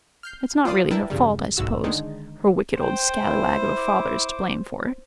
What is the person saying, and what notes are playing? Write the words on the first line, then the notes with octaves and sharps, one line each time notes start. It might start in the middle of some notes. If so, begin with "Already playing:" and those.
It's not really her fault, I suppose--her wicked old scalawag of a father is to blame for it.
F6 G6 C7
F4 C5 D5 F5 D#6
D4 E4 A#4 B4 G5 A5
E2 G2 C#3 G3
B1 G#2 F#4 E6
D3 D#3 G#3 D4 D#4
C5 G5
E4
D6